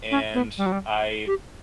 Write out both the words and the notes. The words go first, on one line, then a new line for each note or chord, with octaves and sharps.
and I
C#4
B3
G3
F#3
G3
G4